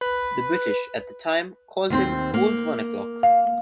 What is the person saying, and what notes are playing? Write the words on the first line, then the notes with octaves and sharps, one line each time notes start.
The British at the time called him "old one o'clock".
B4
D#2 C4 C5
A#3
F5